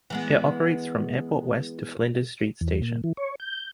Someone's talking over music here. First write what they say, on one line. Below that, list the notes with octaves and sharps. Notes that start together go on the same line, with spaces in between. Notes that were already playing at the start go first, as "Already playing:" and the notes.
It operates from Airport West to Flinders Street station.
E3 G#3 B3
E2
A#2
E3
C#5
G6